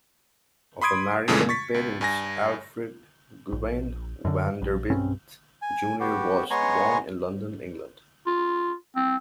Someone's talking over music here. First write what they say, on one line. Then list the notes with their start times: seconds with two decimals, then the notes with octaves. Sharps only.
Of American parents, Alfred Gwynne Vanderbilt, Junior was born in London, England.
0.82 B5 C6 D#6 G#6 D7
1.28 F2 A#2 C#3 E3 G#3 A3
1.49 C#6 A6 B6
1.74 C#2
2.01 G2 G#5 A#6
3.52 A#1
4.25 F#2 D3
4.62 A#1
4.90 B1 G2 C4 C#4
5.62 G#5
6.00 B3 F#4 G4
6.50 G#3 B3 C#5 G#5 A#5 C6
8.27 F4
8.96 C4